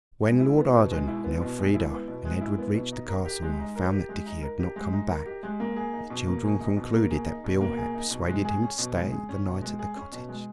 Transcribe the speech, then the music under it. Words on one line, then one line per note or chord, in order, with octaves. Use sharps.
WHEN Lord Arden and Elfrida and Edred reached the castle and found that Dickie had not come back, the children concluded that Beale had persuaded him to stay the night at the cottage.
G#3
E4
B3
B2
G#3
E4
B3
B2
G#3
E4
B3
B2
G#3
E4
B3
B2
D#4
A#4
G4
G#3
D#4
A#4
G4
G#3
D#4
A#4
G4
G#3
D#4
A#4
G4
G#3
A#3
G#4
D#4
B2
A#3
G#4
D#4
B2
A#3
G#4
D#4
B2
A#3
G#4
D#4
B2
G#3
G#4
C#4
B2
G#3
G#4
C#4
B2
G#3
G#4
C#4
B2
G#3